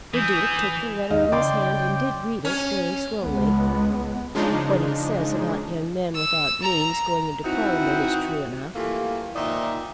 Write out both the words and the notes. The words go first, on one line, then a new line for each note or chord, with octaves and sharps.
The Duke took the letter in his hand and did read it, very slowly. "What he says about young men without means going into Parliament is true enough."
E3 D#6 G6
D#2 D#4 D#5 F5
C#3 D5 G5 C6
C#4
C#2 G#3 B3
C#3 F3 G#3 D4 D#4
E6
A#5
E3 C4 D#4 E4 F#4
E3 G3 A3 A#3 F4
A#2 D#3 F3 D#4 D5 E5